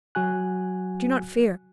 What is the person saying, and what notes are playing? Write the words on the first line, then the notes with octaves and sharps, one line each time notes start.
Do not fear.
F#3 F#4 G#5 F#6